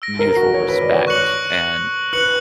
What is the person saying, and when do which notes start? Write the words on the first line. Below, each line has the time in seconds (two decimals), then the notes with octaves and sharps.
mutual respect and
0.02 E6 A#6 D7
0.19 A#4
0.36 F#4
0.54 C#5
0.68 B4
0.81 D5
0.94 C#5
1.07 C#6 F#6 C#7 F#7
2.13 B4 F#6 C#7 F#7